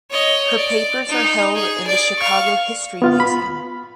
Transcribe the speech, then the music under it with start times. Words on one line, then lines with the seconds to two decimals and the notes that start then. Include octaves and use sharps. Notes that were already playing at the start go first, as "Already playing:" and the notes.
Her papers are held in the Chicago History Museum.
0.11 C#5 D#5
0.56 D5
1.09 D#4
1.55 G#4
1.87 D5
2.18 F5 C#6
3.02 B3 F4 F5
3.20 B5